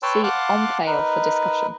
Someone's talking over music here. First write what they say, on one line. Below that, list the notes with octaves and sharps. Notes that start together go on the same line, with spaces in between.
See Omphale for discussion.
B4 C#5 G5 A5 C6 E6
F5 F#5 A5 C6 D6
D#4 A#4 B4